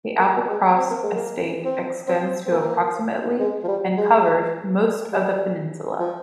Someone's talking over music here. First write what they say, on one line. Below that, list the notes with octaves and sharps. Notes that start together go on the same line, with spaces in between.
The Applecross estate extends to approximately and covers most of the peninsula.
A#3
G#3
C4
A#3
G#3
A#3
C4
C4
C4
A#3
G#3
F3
G3
G#3
G3
F3